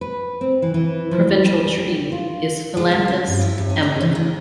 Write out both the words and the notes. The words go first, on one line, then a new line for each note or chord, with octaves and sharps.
Provincial tree is "Phyllanthus emblica".
B4
C4
E3
E3
F3
G3
G3
G4
F4
G#3
D2
C#4
G2
E4
G2
C#4
D#4
E3
D#3